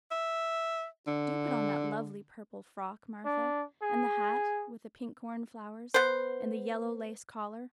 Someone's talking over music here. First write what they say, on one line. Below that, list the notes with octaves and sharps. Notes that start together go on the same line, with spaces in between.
Do put on that lovely purple frock, Martha, and the hat with the pink cornflowers, and the yellow-lace collar.
E5
D3
D4
G#4
B3 C5